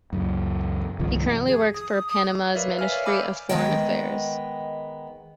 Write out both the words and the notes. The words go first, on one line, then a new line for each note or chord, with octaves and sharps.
He currently works for Panama's Ministry of Foreign Affairs.
C#2 F#2
C2 G2 D#3 F3
G#4
D#6
D#6
A#4 B4 C#5 D5 E5 F5
E5 G#5 F6
C#5 D5 F5
G#5 B5 D6 E6 F6 G6
D#3 G#3 B3 D#5 G5